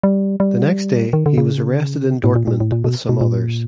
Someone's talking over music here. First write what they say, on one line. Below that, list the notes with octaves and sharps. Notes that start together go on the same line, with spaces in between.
The next day he was arrested in Dortmund with some others.
G3
G3
D#3
D3
C#3
A2
A#2
A#2
A2
A#2
B2
B2
A#2